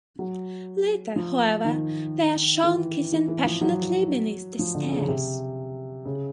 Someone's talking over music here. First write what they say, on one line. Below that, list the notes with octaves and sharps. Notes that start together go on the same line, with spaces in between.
Later, however, they are shown kissing passionately beneath the stairs.
F#3
F3
D#3
E3
E3
E3
F3
F#3
F3
D3
C#3
C3
C#3